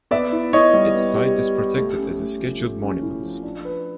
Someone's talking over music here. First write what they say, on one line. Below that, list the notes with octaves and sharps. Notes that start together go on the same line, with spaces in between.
Its site is protected as a Scheduled monument.
B3 D5 E5
E4
E4 C#5 D#5
G3
B3
G4
G4
G4
A3
C#4
A3
F3
A3
C#4
E4
F3
D4
B4